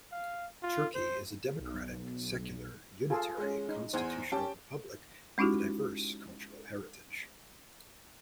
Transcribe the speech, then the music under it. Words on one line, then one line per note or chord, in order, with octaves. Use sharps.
Turkey is a democratic, secular, unitary, constitutional republic with a diverse cultural heritage.
F5
F4
C5
B1
F4 G#4 A4
G#3 C#4
D#4
E2 C5 G#5
C#4 G4 G5 A5
G#3 C#4 D#4 E4 F#4 G4